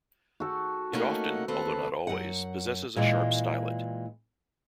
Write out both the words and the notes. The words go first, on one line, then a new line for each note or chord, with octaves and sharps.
It often, although not always, possesses a sharp stylet.
F#4 A4 G5
A3 A#3 C#4 D#4 F#5
D#2 C4 A4 B4
F#2 F#5
A#2 E3 G#3